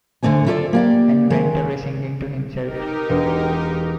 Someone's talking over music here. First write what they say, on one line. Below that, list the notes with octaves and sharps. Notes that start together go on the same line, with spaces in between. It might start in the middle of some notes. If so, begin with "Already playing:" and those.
And went away singing to himself.
D2 D3 A3 D4 C5 G#5
E4 F4 A4 C#5 D5 E5
A#3 G4 D5
D#3 G#3
D#4 G4 A#4
E1